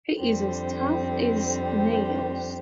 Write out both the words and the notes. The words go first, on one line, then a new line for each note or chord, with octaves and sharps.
He is as tough as nails.
F2 D3 G3 C4